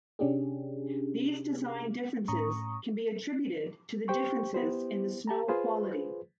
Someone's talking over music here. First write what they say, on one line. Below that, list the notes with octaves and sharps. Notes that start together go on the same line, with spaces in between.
These design differences can be attributed to the differences in the snow quality.
C3 C#4 D4 G4 G#4
A2 C#4 A#5 C#6 D#6
G4 C5 G5 C#6
B3 E4 G4 C5
G4 A5 A#5
F4 G#4 B4 C5